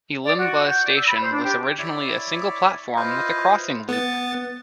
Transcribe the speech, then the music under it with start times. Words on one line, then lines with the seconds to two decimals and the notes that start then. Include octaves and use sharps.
Elimbah station was originally a single platform with a crossing loop.
0.23 D5
0.38 F#4
0.68 G6
0.84 D5
0.95 E6
1.07 B5
1.21 C5
1.32 D4
1.44 G4
1.79 E4 C#5 D5 E5 D6
2.96 E4 F4 B4 C5 D#5 F5
3.89 B3 A6